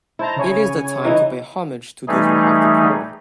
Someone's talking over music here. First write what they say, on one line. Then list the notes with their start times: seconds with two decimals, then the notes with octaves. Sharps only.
It is the time to pay homage to those who have departed.
0.19 E4 C5 A5 A#5
0.36 C#3 C#5 G#5
1.04 E3 D#4 E4
2.08 E3 G3 A3 D#4 G#4